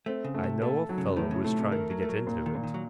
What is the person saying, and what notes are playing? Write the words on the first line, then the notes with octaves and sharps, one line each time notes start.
I know a fellow was trying to get into it.
A3 C4
C#3
A3
C3
A#2 A4
F#3
C#3
A2 D#3
C#3
C3 A3
C3
D#3 A#4
F#3
A3 A#4
F#3
A#2
D#3
A#2
D#3
F#3